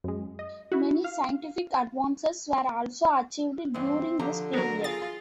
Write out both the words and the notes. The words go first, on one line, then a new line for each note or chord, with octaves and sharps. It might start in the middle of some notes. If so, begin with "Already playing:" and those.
Many scientific advances were also achieved during this period.
F#2 G#3
D#5
E4 F#4
F5
E2 G2 C4
D3 F3 G4 A#5
F#3 B3 A#4
F4 G#4 A6